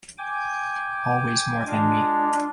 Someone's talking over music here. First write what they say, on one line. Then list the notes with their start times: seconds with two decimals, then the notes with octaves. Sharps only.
Always more than me.
0.18 G5 G#5 D6
1.67 G#3 D4 F4